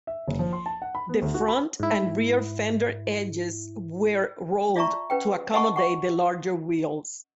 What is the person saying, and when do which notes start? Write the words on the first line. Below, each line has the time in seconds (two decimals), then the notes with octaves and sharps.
The front and rear fender edges were rolled to accommodate the larger wheels.
0.07 E5
0.28 F#1
0.39 F3
0.53 C6
0.66 A5
0.82 F#5
0.95 B5
1.09 B3
1.22 D2
1.34 F#4
1.48 B5
1.80 G#2 E4
4.76 F4 D5 E5 A5 A#5 C#6
5.10 C#4 B4 G5
5.54 D#5 F#5 G#5 A5 B5 C#6
5.76 F#5 C#6